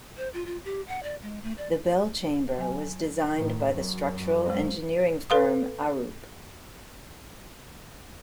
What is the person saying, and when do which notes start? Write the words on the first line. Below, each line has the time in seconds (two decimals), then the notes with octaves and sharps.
The bell chamber was designed by the structural engineering firm Arup.
0.17 C5
0.34 F4
0.46 F4
0.65 G4
0.88 F#5
1.03 D5
1.22 G#3
1.43 A3
1.58 D5
2.58 F#3 G#5
3.34 A2 D#3
3.71 F#2
4.46 G#3 C5
5.30 A4 B4 F5 C6 D#6